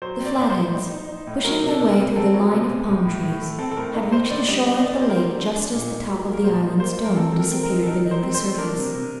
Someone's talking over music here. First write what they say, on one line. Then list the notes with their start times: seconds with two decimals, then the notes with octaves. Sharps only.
The Flatheads, pushing their way through the line of palm trees, had reached the shore of the lake just as the top of the island's dome disappeared beneath the surface.
0.02 F#3 C5
0.20 C4
0.25 D5
0.38 A2 D5
0.50 C5
0.55 A2
0.73 D#4
0.91 D#4
1.09 D#4
1.27 A2
1.44 F#3 A#4
1.63 C3
1.68 A4
1.80 C3
1.92 A#4
1.98 C3
2.16 C4 A4
2.34 F#3
2.52 C3
2.69 C3
2.87 A2
3.05 A2
3.23 A2
3.41 A3
3.59 C4 A4
3.71 A4
3.77 A2 A#4
3.94 D#4
4.12 A2 C5
4.30 D3 D5
4.48 G3 D#5
4.66 D4 D#5
4.83 D3 D5
5.01 G3 C5
5.09 A#4
5.16 G3 C5
5.37 D3
5.55 D4
5.73 A#2
5.91 D#4
6.09 F#3
6.26 A#3
6.33 A#4
6.44 A#2 C5
6.62 D#4
6.80 A#3 C5
6.98 A#3
7.04 A#4
7.15 C4 A4
7.32 C4 A4
7.40 A#4
7.52 C4
7.63 A#4
7.69 D#4
7.83 A4
7.87 D#4 A#4
8.05 D#4
8.11 C5
8.23 C4
8.34 C5
8.40 A3
8.58 D4 A#4
8.76 C3
8.94 C3